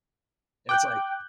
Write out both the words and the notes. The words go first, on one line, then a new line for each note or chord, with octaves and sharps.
and it's, like
G5 D6 F#6 G6